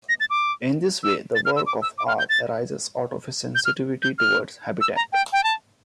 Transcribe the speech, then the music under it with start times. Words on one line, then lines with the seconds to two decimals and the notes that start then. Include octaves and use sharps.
In this way the work of art arises out of a sensitivity towards habitat.
0.09 A#6
0.20 A6
0.30 D6
1.03 E6
1.35 A6
1.45 F6
1.56 E6
1.66 D6
1.82 E6
1.98 D6
2.08 F6
2.19 G6
2.29 A6
3.55 G6
3.65 F6
4.02 G6
4.18 F6
4.81 E6
4.96 A#5
5.13 G5
5.33 G5
5.44 A5